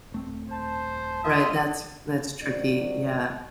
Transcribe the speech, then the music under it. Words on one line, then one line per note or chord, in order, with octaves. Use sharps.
Right, that's that's tricky. Yeah.
D#1 A3 C4
C5 A5
F4 D#5 E5
G#1 F#3 D5